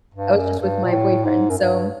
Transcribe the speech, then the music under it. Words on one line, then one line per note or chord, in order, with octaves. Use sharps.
I was just with my boyfriend, so,
G2
F#2
G2
A#2
A2
G#2
F#2
G2